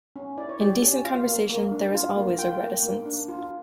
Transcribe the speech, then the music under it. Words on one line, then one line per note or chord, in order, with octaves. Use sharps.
In decent conversation there is always a reticence.
C#4
E4 D5
C#5
G4 D5
C#4
F4 F5
A#3
A#3
D4
F4
A#3
F4 G5
A#3
A#3
D4
F4